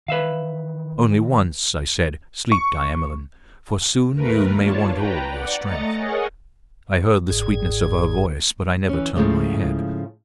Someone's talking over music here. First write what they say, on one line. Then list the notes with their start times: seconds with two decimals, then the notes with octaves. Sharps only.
Only once I said, 'Sleep, Diamelen, for soon you may want all your strength.' I heard the sweetness of her voice, but I never turned my head.
0.08 D#3 E3 B4 E5 F5
2.52 C#6
4.13 D#2 A3 A#4 B4
4.57 D4 F4 C#5 A5
4.94 B4 G5 A#5
5.30 D5 F#5
5.63 A3 D#5 A#5 A6 C#7
5.97 G#4 A#4 C#5 D#5 F#5 G#5
7.30 G1 G#2 G#4
8.89 E3 C#4
9.16 G#2 C#3 F3 G#3 A3 E4